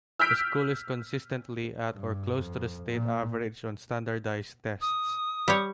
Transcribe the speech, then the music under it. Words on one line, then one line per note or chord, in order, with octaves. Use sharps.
The school is consistently at or close to the state average on standardized tests.
E6 F6 G6 B6 D7
G2
F2
A#2
D#6
G3 C#5